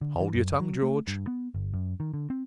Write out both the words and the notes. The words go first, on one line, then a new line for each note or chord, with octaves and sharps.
Hold your tongue, George!
D3
E3
F#2
F#3
A3
G2
B3
G1
F#2
D#3
D3
C4